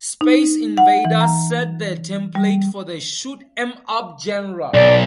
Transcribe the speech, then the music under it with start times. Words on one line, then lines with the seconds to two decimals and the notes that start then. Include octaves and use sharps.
"Space Invaders" set the template for the shoot 'em up genre.
0.21 D#4
0.77 F#5
1.05 E3
1.21 A#5
2.35 G3
4.74 B1 D5